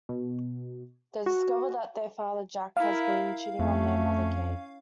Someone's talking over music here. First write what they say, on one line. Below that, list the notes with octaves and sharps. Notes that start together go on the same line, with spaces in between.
They discover that their father, Jack, has been cheating on their mother, Kate.
B2
F#4
E4 A#4 F5
F2 A3 C#4